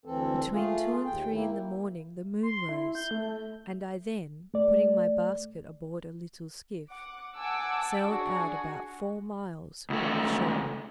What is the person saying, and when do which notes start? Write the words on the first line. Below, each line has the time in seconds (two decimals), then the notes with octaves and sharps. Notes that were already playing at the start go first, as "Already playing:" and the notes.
Between two and three in the morning the moon rose; and I then, putting my basket aboard a little skiff, sailed out about four miles from the shore.
0.06 D2 E3 C4 A4
0.52 A3 F4 G#4
1.05 D#2 G5
1.33 A#3 E4
2.43 C6
2.69 E4
2.95 G6
3.11 A3
4.54 A3 D5
6.89 F#5 D6
7.37 F#5 G#5 A5 D6 E6
8.04 D4 F#4 G#4
9.90 C#2 A3